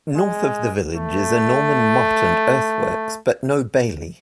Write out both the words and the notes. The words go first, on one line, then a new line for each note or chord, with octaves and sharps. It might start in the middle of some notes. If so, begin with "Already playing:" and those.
North of the village is a Norman motte and earthworks but no bailey.
G#3
A3